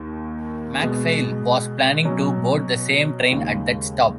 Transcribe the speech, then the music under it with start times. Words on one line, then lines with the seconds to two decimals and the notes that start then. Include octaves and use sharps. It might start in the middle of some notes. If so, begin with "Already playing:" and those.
MacPhail was planning to board the same train at that stop.
Already playing: D#2 D#3 A#3 D#4
0.80 B2 G#3 B3
2.05 B2 F#3 C#4
3.31 D#2 C#3 G#3 D#4